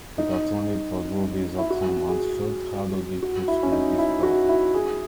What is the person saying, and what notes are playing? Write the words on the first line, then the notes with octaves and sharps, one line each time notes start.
The Cartoon Network "Groovies" Atom Ant short had audio clips from this film.
D#4
E4
F#4
G#4
F#4
E4
C#4
D#4
E4
F#4
E4
G#4